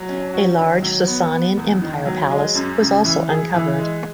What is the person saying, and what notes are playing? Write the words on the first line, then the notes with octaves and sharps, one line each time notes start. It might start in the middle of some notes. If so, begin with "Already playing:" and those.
A large Sasanian Empire palace was also uncovered.
Already playing: F#3
C#4
F#4
D#3
F#3
B3
B3
E2
D#3
F#3
G#3
F#2
C#3
E3
G#4
E3
G#3